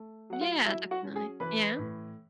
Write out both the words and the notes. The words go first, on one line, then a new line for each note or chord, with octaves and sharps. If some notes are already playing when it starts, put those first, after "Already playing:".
Yeah, definitely. Yeah.
Already playing: A3
F#3 F#5
F4 F5
F#3 E4 E5
F#4 F#5
C#4
G#4 G#5
E3 B4 B5
A2